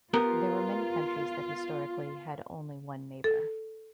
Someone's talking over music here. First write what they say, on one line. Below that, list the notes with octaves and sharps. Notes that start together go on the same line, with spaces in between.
There were many countries that historically had only one neighbour.
B3 F4 G4 A#4
A4